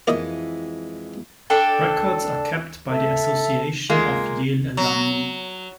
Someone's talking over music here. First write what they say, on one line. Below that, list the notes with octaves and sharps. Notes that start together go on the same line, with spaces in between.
Records are kept by the Association of Yale Alumni.
F2 E3 G#3 A#3 E4 D#5
D4 A4 G5
A4 E5
G#3 A#3 F4
F#3